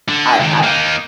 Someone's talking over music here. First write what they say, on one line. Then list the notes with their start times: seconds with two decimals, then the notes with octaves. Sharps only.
I I
0.09 D3
0.39 C#2 D#3
0.63 A#3 D#4